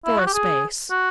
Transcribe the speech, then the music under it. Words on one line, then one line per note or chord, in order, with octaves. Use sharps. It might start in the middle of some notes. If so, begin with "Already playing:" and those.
For a space.
E4
F#4
G4
G#4
F#4